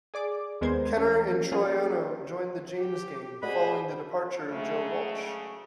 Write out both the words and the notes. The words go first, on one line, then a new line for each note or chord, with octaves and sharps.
Kenner and Troiano joined The James Gang, following the departure of Joe Walsh.
G#4 D5 D6
D#2 G#3 B3 A#4 C5 G#6
E3 A3 C#4
F#3 A#3 C#4 F4 G#4
G4
F#4 G#4 C5 D5 D#5 B5
C#3 F#3 G#3 A3